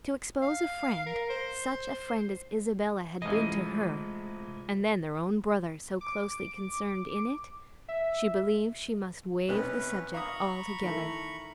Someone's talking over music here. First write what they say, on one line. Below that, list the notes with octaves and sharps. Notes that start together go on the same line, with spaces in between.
To expose a friend, such a friend as Isabella had been to her--and then their own brother so closely concerned in it! She believed she must waive the subject altogether.
F5
A#4
C5
A1 C3 G#3 A3 F4 C5 D#5 B5
D6
E5
B1 C3 B3 C#4 B4
F5 A#5 B5 C#6 D#6
D#3 E3 A3